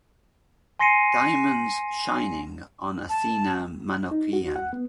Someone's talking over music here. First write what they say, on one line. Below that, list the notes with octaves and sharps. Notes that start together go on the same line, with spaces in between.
Diamonds shining on Athena Manoukian.
G#5 C6 A#6 C7 C#7 D#7
A5
D#4
F#4
F#5
B3